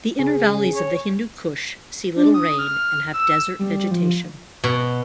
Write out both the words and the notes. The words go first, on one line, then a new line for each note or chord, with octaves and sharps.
The inner valleys of the Hindu Kush see little rain and have desert vegetation.
C#3 G#4
C#5
D4
D#6
F6
E6
G3
F3
B2